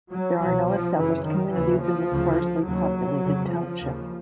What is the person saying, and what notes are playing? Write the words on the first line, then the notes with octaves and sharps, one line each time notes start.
There are no established communities in the sparsely populated township.
F#3
C2 B2 F#3
F3
F#2 C#3 E3
D#3
D#2 C#3 E3
F3
D2 C#3
D#2 C#3 F#3
F2 C#3
F3
D#2 C#3